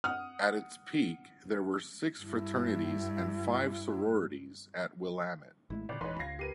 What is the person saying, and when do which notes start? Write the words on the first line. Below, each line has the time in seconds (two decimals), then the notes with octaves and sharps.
At its peak, there were six fraternities and five sororities at Willamette.
0.04 F#5 D#6 F6
2.22 G2 E4
5.70 G#1 G#3 A3 E4
5.89 G#1 A#2 D3 D5
6.01 D#1 G#2 E3 B4 C#5 D#5 C6
6.19 C#2 F4 G#6 A#6 C7
6.39 G4 A#4 B4 C7 D#7